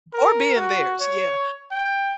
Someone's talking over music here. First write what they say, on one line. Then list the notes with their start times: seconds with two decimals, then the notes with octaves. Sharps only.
or be in theirs, yeah,
0.13 A#4
0.56 F#4
1.01 C#5
1.71 G5